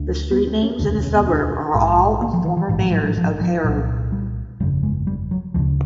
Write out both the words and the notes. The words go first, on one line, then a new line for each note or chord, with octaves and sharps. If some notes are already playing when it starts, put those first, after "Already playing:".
The street names in the suburb are all of former mayors of Harare.
Already playing: D2 D3
B3
C4
C#4
E1 D2 D3 D4
C#4
C#4
B3
D4
A#1 G#2
A#3
F3
E3
E3
A1 G#2 E3
F3
F#3
F#3
F3
F3
C2 A#2 F#3
G3
G1 F2 C#3 G3
G#3
G3
F#3
D2 C#3 F3